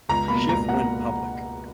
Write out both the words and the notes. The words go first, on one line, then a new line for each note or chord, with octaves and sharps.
Schiff went public.
C#2 A#5
B2 A#3 B5
C#2 A#5
B2 A#3 F#5